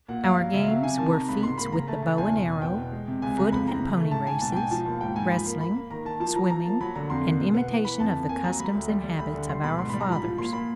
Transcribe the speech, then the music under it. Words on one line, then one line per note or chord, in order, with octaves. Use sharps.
Our games were feats with the bow and arrow, foot and pony races, wrestling, swimming and imitation of the customs and habits of our fathers.
A#2 F#5
G2 F5
F#3
C#3 E5
F5
F#3
C3 G#5
D#3 A5
C3 A#5
C#2 B5
G#2 C6
A#3 B5
C#3 A#5
A3 A5
C#3 A5
E2 G#5
B2
E2
B3 G5
B2
G#3
C3
C#2 G#5
C#2 A#5
F2 B5
E3 A#5
C#3
A3
G#2 A5
G#2 G#5
B2 A5
G5
B2 G#5
F3 A5
D#2
G#2 G5
G#2 G#5
F3 B5
A#3 B5
A#3 B5
A#3
D#3 A#5
D#3 A5
F3 A5
F3 A#5
F3 A#5
A#3 A5
F#3 B5
D3 A#5
F2 C6
A#3
B2
B3
E3
E3 B5
F2 A5
F2
A#3 G#5
F#3 A#5
F#3 B5
D2
G3
G3
D2 B5
D3
G3 C6
B2 B5
G#2 C6
G3 B5
A#5
F3 B5
F3
A#2 C6
A#2 B5